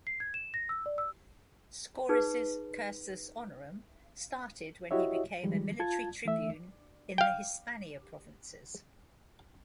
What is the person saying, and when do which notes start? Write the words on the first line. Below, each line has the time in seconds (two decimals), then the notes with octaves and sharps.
Scaurus' "cursus honorum" started when he became a military tribune in the Hispania provinces.
0.07 C7
0.20 G#6
0.34 E7
0.54 A#6
0.69 E6
0.86 D5
0.98 E6
2.09 D#4 G#4 B4
4.91 E4 F#4 G4 C#5 D#5 E5
5.43 D#3 F3 G3 G#3
5.79 F4 A5 G#6
6.25 E3 A3 E5
7.18 F5 G5